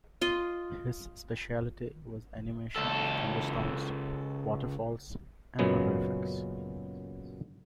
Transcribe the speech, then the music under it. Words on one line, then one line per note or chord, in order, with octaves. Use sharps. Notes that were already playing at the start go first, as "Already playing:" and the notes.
His specialty was animation of thunderstorms, waterfalls and other effects.
F4 D#5
C#2 A4
F#2 A#2 C#3 F#3 G#3 B3